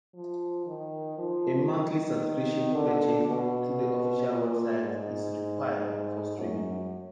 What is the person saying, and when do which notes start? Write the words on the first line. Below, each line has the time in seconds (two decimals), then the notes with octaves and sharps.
A monthly subscription purchased through the official website is required for streaming.
0.15 F3
0.66 D#3
1.18 F3
1.70 D#3
2.74 D3
3.27 B2
4.30 A#2
4.82 G#2
6.38 F#2